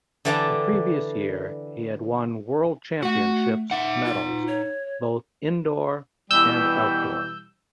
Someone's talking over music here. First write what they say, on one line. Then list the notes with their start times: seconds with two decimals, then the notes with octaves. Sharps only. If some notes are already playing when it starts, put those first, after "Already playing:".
The previous year he had won World Championships medals both indoor and outdoor.
0.25 D3 E3 G3 D5 A5 A#5
3.03 A3 F#4 F#5
3.71 D#4 E5 F#5
4.05 F4
4.47 C#5
6.31 B2 E3 G3 E6 G6